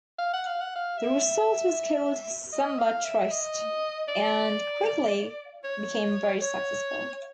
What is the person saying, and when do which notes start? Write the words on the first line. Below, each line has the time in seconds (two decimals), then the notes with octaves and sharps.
The result was called "Samba Triste" and quickly became very successful.
0.18 F5
0.33 F#5
0.46 F5
0.61 F#5
0.75 F5
0.97 E5
2.53 D#5
2.79 F5
3.04 E5
3.31 D#5
4.08 D5
5.64 C#5
6.42 C#5